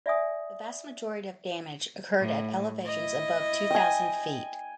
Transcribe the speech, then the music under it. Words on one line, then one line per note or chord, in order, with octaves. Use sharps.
The vast majority of damage occurred at elevations above two thousand feet.
D5 E5 G#5 D#6
A2
E4 D#5
G5 G#5